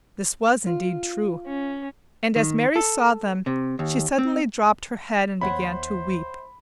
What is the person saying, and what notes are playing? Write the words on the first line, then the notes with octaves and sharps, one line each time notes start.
This was indeed true, and as Mary saw them she suddenly dropped her head and began to weep.
F4
C#4
D#3
A4
C3
D#2
C4
D#2 C5 C#5 E5 F#5 B5